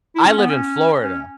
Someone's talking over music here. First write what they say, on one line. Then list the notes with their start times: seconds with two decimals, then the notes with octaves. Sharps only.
I live in Florida.
0.16 E4
0.27 C#4
0.38 B3
0.50 C#4
1.04 C#4